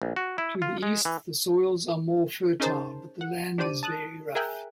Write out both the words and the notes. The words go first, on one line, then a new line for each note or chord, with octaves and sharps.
To the east, the soils are more fertile, but the land is very rough.
A#1
F#4
E4
F4
G#3
E3
C#4 D#4 G#4 A#4 C5 A5
F#5
D4 G4 C5 D5 D#7
A5 D#6 F#6
G#4 A#4 E5 G5 G#5 F#6